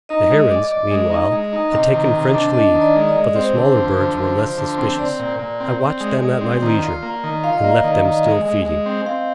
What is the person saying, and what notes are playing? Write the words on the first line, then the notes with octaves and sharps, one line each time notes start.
The herons, meanwhile, had taken French leave, but the smaller birds were less suspicious; I watched them at my leisure, and left them still feeding.
D#4 D#5
G#3
D5
D5
G#3
D#4
G#3
D#4
C3 D#5
D#3
C3
D4
D4 D#5
D#3
D5
G#3
D5
G#3
C4 C5
D3
F3
D3
F3
F3
D3
C4
C4 D5
A#2
A#2
C4
C4
G#3
G#3
C4
D#3
F4
A#3
D#3
F4 F5
D#5
A#3 D5
D#5
D#3
D#3
G#3
G#3
G#3
C4
C4 F5